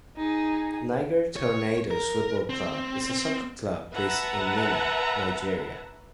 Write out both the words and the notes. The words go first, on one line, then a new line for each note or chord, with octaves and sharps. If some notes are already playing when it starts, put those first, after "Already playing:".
Niger Tornadoes Football Club is a soccer club based in Minna, Nigeria.
D#4 G#4
C#5
A#4
C4
B4 E5 F#5 A5 A#5